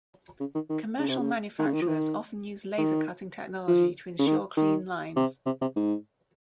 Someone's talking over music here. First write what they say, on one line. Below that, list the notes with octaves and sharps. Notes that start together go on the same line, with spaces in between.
Commercial manufacturers often use laser cutting technology to ensure clean lines.
C#3
D#3
D#3
C#3
C3
C#3
D#3
C#3
D#3
F3
D#3
D#3
F3
C#3
D#3
D#3
C3
C3
C3
G#2